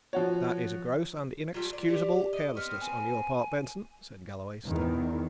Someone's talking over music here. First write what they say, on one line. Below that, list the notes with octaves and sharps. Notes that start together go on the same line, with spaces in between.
"That is gross and inexcusable carelessness on your part, Benson," said Galloway sternly.
F3 F#4 C#5
F#3 G3 A3 F4
D5
G4
D#5
B3 C4 F6
G#5
E2 D#3